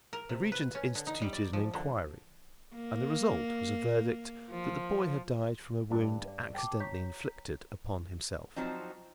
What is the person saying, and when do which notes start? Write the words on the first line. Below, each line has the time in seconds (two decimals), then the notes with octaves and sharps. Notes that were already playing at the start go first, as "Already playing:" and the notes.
The Regent instituted an inquiry, and the result was a verdict that the boy had died from a wound accidentally inflicted upon himself.
0.13 A#4
0.29 C3
0.52 B4
0.75 C#4
0.95 D3
1.07 D#4
1.22 G3
1.33 D5
1.53 F3
1.74 D3
2.75 A#3
4.51 F3
5.91 G2 D4
6.28 D5
6.55 G5 A5 D6
6.80 C#5 A#5 G6 B6
8.56 F3 F#3 C4 D#4